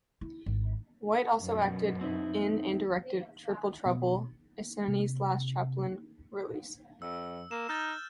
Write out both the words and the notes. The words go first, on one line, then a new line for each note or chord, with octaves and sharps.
White also acted in and directed "Triple Trouble", Essanay's last Chaplin release.
E4
G#1
F#2 B2
C4 D#4 E4
B2
C3
F2 E6
A#3 E7
D#4 F6 G6 A6